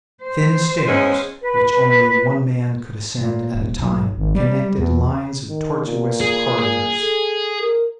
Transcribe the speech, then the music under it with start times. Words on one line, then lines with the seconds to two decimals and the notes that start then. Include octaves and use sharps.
Thin stairs, which only one man could ascend at a time, connected lines of tortuous corridors.
0.23 C5
0.87 E2 G#3 C#4
1.42 B4
3.21 A#2
3.55 D#1
3.79 B1
4.18 G#1
4.35 G3
4.78 E2
5.49 D#3
5.86 A#2
6.21 G#4
6.59 G#4
7.01 A4
7.61 A#4